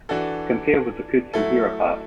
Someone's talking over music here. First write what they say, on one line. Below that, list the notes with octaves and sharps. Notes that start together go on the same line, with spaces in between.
Compare with the kutsinhira part.
E3 D4 F#4 A4
F#3 A3 E4 A4